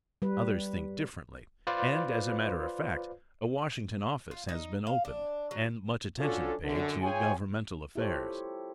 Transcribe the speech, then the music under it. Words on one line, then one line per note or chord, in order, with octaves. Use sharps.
Others think differently; and, as a matter of fact, a Washington office has been opened and much attention paid to governmental affairs.
G3 B4
F4 B4 C5 D5 F5
F4
D#4
F5
D4
F#3
F3 C#4 D4 F4 F#4 A4
F#2 D3
F4 G#4 C#5 G5 G#5
E4 F4 G4 A4 C5 C#5